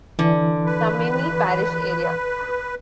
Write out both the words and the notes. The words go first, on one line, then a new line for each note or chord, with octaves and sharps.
Tammany Parish area.
D3 E3
B4